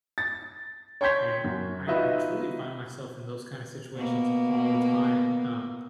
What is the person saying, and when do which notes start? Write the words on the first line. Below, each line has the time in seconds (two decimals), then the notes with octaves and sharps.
And I I truly find myself in those kinda situations all the time, um,
0.18 A6
1.01 C#5 G5 C6 G6 G#6 B6
1.44 F#2 F#4
1.87 D#4 F4 F#4 B4 D#5 E5
3.94 B2 A#3